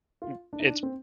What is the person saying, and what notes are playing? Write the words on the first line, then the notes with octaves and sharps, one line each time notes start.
m it's
F4
D4
D#4
D4
C4